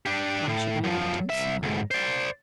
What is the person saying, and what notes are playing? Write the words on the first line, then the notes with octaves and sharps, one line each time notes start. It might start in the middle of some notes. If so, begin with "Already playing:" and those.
"Why should I not do so?"
D4 G4
A2
F#2 F3
C2 E5
D2 G#2
C5 D5